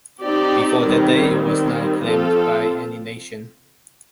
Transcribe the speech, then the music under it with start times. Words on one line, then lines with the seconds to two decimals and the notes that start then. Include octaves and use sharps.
Before that day, it was not claimed by any nation.
0.21 C4 D#4 G4 D5
0.82 D#3 G3 C4
1.43 D#3 G3 C4
2.04 F3 C4 F4 A4